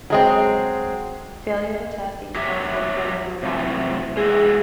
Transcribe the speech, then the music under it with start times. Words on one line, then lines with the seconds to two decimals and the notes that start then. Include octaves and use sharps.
Failure to test each possible parameter value may leave a bug.
0.10 F#3 G#3 C4
2.36 F#3 G4 E5
3.42 C3 F#3 A3
4.17 G#3 E4 F#4 G#4